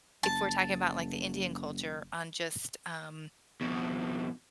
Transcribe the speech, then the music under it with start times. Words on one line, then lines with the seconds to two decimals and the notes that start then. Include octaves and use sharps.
if we're talking about, like, the Indian culture on just, um,
0.23 F#1 A5
3.61 F2 B2